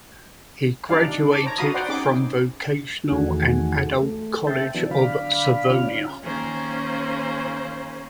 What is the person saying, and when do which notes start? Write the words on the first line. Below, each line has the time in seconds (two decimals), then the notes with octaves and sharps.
He graduated from Vocational and Adult College of Savonia.
0.89 D4 D#4 G4 D5 F5
1.32 A5 D6
1.43 C5 C#5 A#5
1.58 F#4 F5 A#5 B5 D#6
1.74 B4 C5 D5 F#5 G5 C6
1.89 C#4 D#4 G#4 G5 D6
3.11 E2 D#3 A3 F#4 G#4
4.02 A3
4.47 C5 E5 G5 A5
4.74 E3 F#3 B3 D4
4.91 D3 D5 F5 B5
5.70 C#4 F4 D5 F6
6.23 D#3 A#3 C#4 G#4 C5